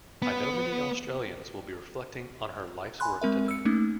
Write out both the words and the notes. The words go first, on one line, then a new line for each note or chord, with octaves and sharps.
I know many Australians will be reflecting on her life's work today.
B3
G#5 B5 C6 F#6
G#3 C4 A#4 E5
E6 C#7
A3 A#3 C#4 D#4